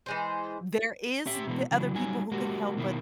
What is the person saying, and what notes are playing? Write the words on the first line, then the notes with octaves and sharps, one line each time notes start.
There is th other people who could help, but
E3 G#3 C5
C#4 G4 E5
B2 E3 G#3 B3
C#3 E3 F#3
F#3 G3 C#4 D#4 G#5
G#3 A#3 F#4 G4
B2 D#3 A#3 E4